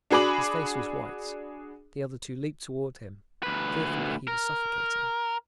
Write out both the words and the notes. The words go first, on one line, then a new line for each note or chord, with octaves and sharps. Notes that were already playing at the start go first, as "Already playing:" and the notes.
His face was white; the other two leaped toward him, fearful that he was suffocating.
D4 F#4 G#4 B5 D6 F#7
D2 B4
A#4